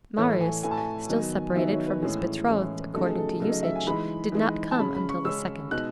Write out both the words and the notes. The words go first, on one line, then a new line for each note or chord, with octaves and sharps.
Marius, still separated from his betrothed according to usage, did not come until the second.
A2 E3 A3 C#5
G#5
A2 E3 A3 G#5
A5
G#5
D#3 F#3 B3 D#4
D#3 F#3 B3 D#4 E5
C#5
B4
A2 E3 G#3 C#4 G#4
A2 E3 G#3 C#4
C#3 F#3 A3 D#4 A4
G#4
A4
A4
C#3 F#3 A3 D#4 A4
D#5
E5
G#5
E3 G#3 D#4 B5
E3 G#3 D#4
A5
C#3 G#3 C#4 B5
B5
C#6
C#3 G#3 C#4 E6
B2 G#3 B3 D#4 F#6